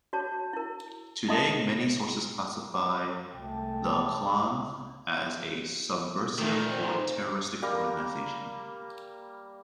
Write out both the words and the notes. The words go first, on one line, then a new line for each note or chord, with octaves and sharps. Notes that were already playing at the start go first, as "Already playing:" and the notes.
Today, many sources classify the Klan as a "subversive or terrorist organization".
F#4 C#5 A5
E4 A#4
D#4 E4 D#5 E5 C6 D#6
F3 G3
C2 G#3 A3 G5 A5
A#2 D#3 A3
C5
G3 A#3 A#4